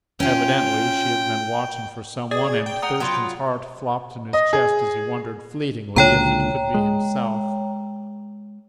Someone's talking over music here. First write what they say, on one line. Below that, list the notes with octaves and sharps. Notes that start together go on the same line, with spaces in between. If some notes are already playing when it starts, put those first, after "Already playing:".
Evidently she had been watching for some one, and Thurston's heart flopped in his chest as he wondered, fleetingly, if it could be himself.
C#4 F4 G5
G#4 D5
G5
F#5 A#5 D#6
F#3 B3 F4
D#5
G#4
C#2 A#2 D3 C#5 G5 A#5
G#3